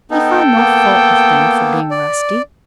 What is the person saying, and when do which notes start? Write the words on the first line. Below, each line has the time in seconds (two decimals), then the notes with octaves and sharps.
He found no fault with them for being rusty.
0.11 B3 D#4 A4 G5
0.56 A#3 B3
1.91 D5